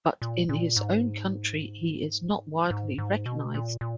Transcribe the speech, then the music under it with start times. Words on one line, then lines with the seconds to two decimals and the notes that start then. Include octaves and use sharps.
But in his own country he is not widely recognized.
0.22 A#2
0.49 A#2
0.76 G#2
2.70 G#2
2.98 G#2
3.26 B2
3.54 A#2
3.81 A#2